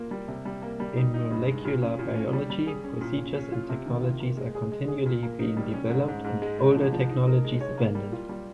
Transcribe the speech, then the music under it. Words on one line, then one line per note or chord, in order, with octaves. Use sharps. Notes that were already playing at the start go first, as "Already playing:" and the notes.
In molecular biology, procedures and technologies are continually being developed and older technologies abandoned.
Already playing: A#3 F4
G3
C3
G3
A#3
G3
D#4
D#4
G2
G#3
A#2
C#4
A#2
C#4
G3
G3
G#4
C#4
A#2
C#4
C#4
F4
C3
D#3
F4
A#3
G#3
G#4
G#3
G#4
A#2
A#3
D#4
G3
C#4
G#2
G#2
G#2
G#3
G#3
F3
F3
D#4
A#4
G#3
C#5
A#3
G3
F4
G3